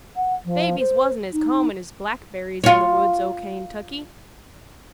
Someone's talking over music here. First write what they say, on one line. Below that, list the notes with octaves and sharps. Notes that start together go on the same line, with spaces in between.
Babies wasn't as common as blackberries in the woods o' Kaintucky.
F#5
F3
C5
D#4
F4 C#5